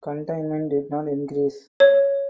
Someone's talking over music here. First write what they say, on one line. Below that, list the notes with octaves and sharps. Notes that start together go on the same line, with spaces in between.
Containment did not increase.
C#5